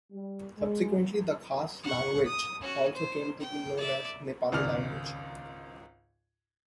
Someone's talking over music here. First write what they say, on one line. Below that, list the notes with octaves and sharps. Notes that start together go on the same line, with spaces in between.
Subsequently, the Khas language also came to be known as "Nepali language".
G3
G#3
F#5 C#6
D#6
C#4 F#4
C5
G5
D5 E5
G#1 C#2 D5 F6 F7